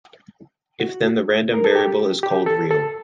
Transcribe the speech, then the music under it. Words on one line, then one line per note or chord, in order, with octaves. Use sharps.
If then the random variable is called "real".
F#4
A#4
A4
G4
G4
A4
A4